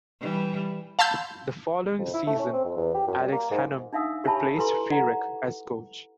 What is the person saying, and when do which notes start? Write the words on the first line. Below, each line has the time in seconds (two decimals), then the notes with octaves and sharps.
The following season, Alex Hannum replaced Feerick as coach.
0.21 E3 G3
0.99 F5 A5 B5 C6 E6 G6
1.99 F2
2.14 E4
2.27 A3
2.39 C#4
2.53 C4
2.65 F2
2.77 E2
2.94 G4
3.07 F#2
3.20 G3
3.32 A#3
3.51 G#2
3.93 D4 D#4 E5 F5 D#6 E6
4.24 G4 C#5 E5 G#5 A5 B5
4.57 E4 A4 B4 G#5 C6
4.89 A4 D5 F#5 A#5